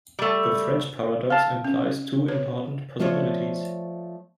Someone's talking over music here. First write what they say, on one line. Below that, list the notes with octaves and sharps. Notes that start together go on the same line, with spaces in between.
The French paradox implies two important possibilities.
G3 A3
F5 A5
C#4
B4 C#5
F3 A3 F4 C#5 D5